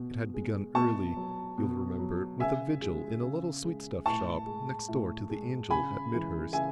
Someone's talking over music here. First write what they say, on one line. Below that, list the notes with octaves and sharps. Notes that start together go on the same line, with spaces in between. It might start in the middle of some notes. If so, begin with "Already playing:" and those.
It had begun early, you will remember, with a vigil in a little sweetstuff shop next door to the Angel at Midhurst.
Already playing: B2
G#3
B2 A5 C#6
F#3
B2
F#3
C#3 E5 G#5
G#3
C#3
G#3
A2 A5 C#6
G#3
A2
G#3
C#3 G#5 B5
E3 G#3
C#3 E5 G#5